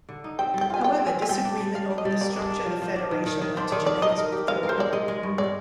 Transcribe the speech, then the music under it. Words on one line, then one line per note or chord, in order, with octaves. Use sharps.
However, disagreement over the structure of the federation led to Jamaica's withdrawal.
D3
D#4
C4 G5
G3
G5
F4 G#5
F4 G5
C4
G#5
C4
G#5
G3 G5
D4
G3
G3 F5
D4
D#5
G3
A#3 D5
D4
D4
F3
F3
D4
D#3
D#3
D#3
D4 C5
D#3 D5
D4 D5
D#4 D#5
A#4
G4
G#3 F5
A#4
C5
G#3 D5
G#3 D#5
G#3
G2
G#3 D5